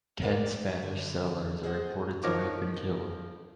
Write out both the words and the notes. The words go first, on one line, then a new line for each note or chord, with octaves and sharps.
Ten Spanish settlers are reported to have been killed.
A#4 B4 D5 F5 G5
G3 C#5 E5
D3
G#4 C5 D#5 F#5
D#3 F3 A#4 C#5 D6